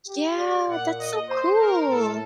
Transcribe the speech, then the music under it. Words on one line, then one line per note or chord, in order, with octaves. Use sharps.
Yeah, that's so cool.
G4
D5
A#2 F#5
D#5
C5
A#4
A2 A4